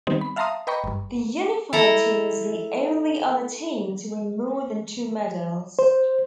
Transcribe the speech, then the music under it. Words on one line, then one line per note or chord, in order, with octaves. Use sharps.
The Unified Team was the only other team to win more than two medals.
D#3 G3 B3 C4 D#4
B5
E5 F5 A5 A#5 C6 D#6
B4 D#5 G5 A#5 B5 C#6
G1 G2
E4 A4 A#5
C5